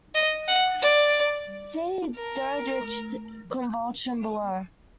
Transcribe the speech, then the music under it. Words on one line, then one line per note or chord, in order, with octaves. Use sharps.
See Dirichlet convolution, below.
D#5
F#5
D5
A#4